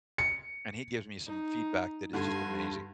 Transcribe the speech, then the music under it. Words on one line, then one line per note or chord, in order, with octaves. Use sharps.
And he gives me some feedback that is just amazing.
C#7
D#4
G2 D3 G#5 C6